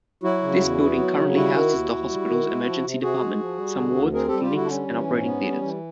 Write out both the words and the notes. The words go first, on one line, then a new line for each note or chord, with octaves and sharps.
This building currently houses the hospital's emergency department, some wards, clinics and operating theatres.
F#3 E4 F#4
C#3
E2
B3
F#3
C#3
G3 E4 F#4
D#3
D#2
D#2
G3
D#3
G#3
F3
C3
C3 F#4 G#4
G#3
F3
G3
D3
D2
C4 G#4 A#4
G4 A4
G3
F4 G4
D3 E4 F#4
D4
G3 C#4
E3
G#2
B3
G3
E3